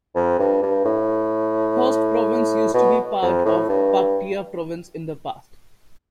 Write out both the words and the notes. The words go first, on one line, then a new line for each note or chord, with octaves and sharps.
Khost province used to be part of Paktia province in the past.
F2
G2
G2
A2
B2
F2
A2
G2